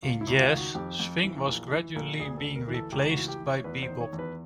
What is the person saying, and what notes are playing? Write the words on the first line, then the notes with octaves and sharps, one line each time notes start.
In jazz, swing was gradually being replaced by bebop.
C#2 F4
E4
C#2
F4
D#3
F#4
F2 G4
F2
E3
A#1
E3
A#1
D2 G#4
A4
D2
A#4
E3
A4
C#2 G4
F#4
E3
G4
E3
C#5
E2 B4
C5
D#3
C#5
E2
B4